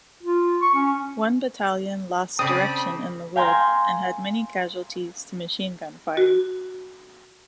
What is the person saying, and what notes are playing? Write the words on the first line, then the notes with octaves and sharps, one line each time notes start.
One battalion lost direction in the wood and had many casualties to machine-gun fire.
F4
C#6
C#4
C#3 C4 D5 A5 B5 D#6
F5 G5 G#5 A#5 C6 A#6
F#4